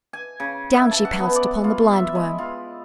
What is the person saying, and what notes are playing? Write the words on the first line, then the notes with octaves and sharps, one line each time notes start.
Down she pounced upon the Blindworm.
G#5
C#3
E5
A5
F#5
B3
D5
F4
E5
G#3
F4